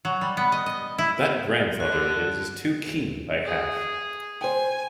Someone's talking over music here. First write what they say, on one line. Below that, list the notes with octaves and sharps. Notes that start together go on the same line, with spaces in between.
That grandfather of his is too keen by half.
F#3
G3
B3
D#5
D#5
E4
D3 F#6
G#4
C5 G5 G#5